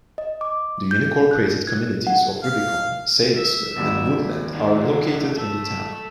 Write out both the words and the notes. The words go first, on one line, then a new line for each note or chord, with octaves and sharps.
The unincorporated communities of Rubicon, Saylesville, and Woodland are located in the town.
D#5
D6
G6
F#6
G#6
F#5
F5
E5
G#1 D#2 G3
D3 D#3
A4 E5